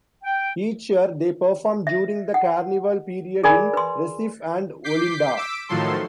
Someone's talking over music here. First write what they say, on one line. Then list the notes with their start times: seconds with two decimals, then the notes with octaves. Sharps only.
Each year they perform during the Carnival period in Recife and Olinda.
0.24 G5
1.87 E5
2.34 F#5
3.44 G#4 A#4 D5 G#5 B5
3.74 B4 C6
4.84 D6 G6 B6 C7
5.36 D6 E6 B6 D7
5.68 A2 D#3 F3 F#3 A4 C6